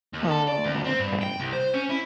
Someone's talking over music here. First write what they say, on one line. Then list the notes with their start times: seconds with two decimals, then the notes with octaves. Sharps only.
Oh, okay.
0.14 D#2
0.30 A4
0.48 D5
0.64 D2
0.85 C4
0.99 G2
1.21 G5
1.40 C2
1.53 C5
1.74 C#4
1.89 E4